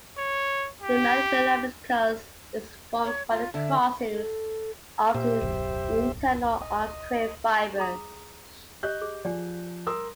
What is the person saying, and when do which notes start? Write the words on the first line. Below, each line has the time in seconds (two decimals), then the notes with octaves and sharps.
The medial lemniscus is formed by the crossings of the internal arcuate fibers.
0.18 C#5
0.82 G4
3.05 C#5
3.31 F4
3.54 D3 E5
4.12 A4
5.14 A#2 G4 C5 E5
5.41 D1 B1 F#2
6.61 D#5
7.78 G#4 A#5 D#6
8.83 G4 D#5 F#6 G6
9.02 G#4
9.25 F3 D5 G5 G#5
9.87 A#4 C6 D#6 E6